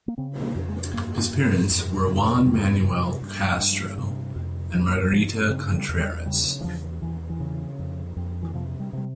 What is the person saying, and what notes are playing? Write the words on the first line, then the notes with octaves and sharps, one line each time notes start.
His parents were Juan Manuel Castro and Margarita Contreras.
A#3
C#3 C4
A#3
F2
G#3
G2 A#3
G2
F2
C#3
F2 G3
C3
G2
G2
C3
F2
G2 F3
G2 F3
C#3 C4
G3
E2
G3
C#3 G3
E3
E2 F3
E2 E3
E3
C#3
F2
F2
E3
C3 F3
G3
C3 G3